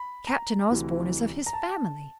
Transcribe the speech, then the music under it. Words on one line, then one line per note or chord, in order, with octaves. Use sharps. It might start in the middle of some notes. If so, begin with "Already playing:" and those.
Captain Osborn is of his family.
Already playing: B5
A#5
D2 C3 E3
A#5
A5